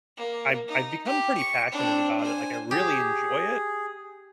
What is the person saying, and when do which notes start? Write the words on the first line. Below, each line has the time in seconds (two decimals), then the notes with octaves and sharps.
I've I've become pretty passionate about it, like I really enjoy it,
0.17 A#3
0.68 D#4
1.05 G4
1.37 C#6
1.72 C4 D4
2.19 C5 G#5
2.71 G4 G#4